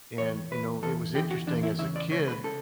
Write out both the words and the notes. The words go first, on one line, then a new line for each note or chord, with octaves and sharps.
and, you know, it was interesting as a kid,
E2 C#5
E2 B4
E2 A4
E2 G4
F#4
E2 D4
E4
C#3 E4
D5
C#2 C#5
B4
C#3 A4